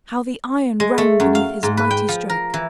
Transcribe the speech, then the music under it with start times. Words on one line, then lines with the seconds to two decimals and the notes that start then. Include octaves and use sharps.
How the iron rang beneath his mighty stroke!
0.80 G#3
0.98 A3
1.20 F#2
1.35 F5
1.63 G#2
1.77 B4
1.91 G5
2.09 F3
2.29 A#4
2.54 E3